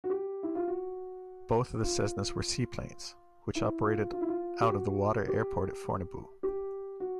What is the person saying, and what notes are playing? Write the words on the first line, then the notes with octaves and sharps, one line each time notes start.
Both the Cessnas were seaplanes, which operated out of the water airport at Fornebu.
F#4
G4
E4
F4
F#4
F4
E4
F4
F4
E4
F4
G4
F#4
G4
G4
F#4